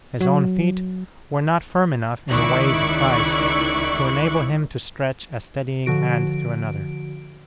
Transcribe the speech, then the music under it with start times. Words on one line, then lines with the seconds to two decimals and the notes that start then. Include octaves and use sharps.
His own feet were not firm enough in the ways of Christ to enable him to stretch a steadying hand to another.
0.21 F#3
2.30 C#2 D#3 E4 D5 C#6 F#6
5.86 D3 F3 F#4 D7